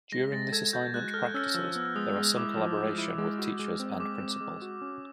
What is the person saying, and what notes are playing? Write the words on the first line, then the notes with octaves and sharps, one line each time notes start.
During this assignment practices, there are some collaboration with teachers and principals.
G#3 A#6
G#3 A6
A4 G#6
F#4 G6
G#3 F#6
A4 F6
C#4 E6
F3 E6
B3
G#3 D#6
G#3
E4 D6
F3
G#3
E4
G#3
F#4
G#3
C4
G#3 D6
C4
G#3
F#4
C#4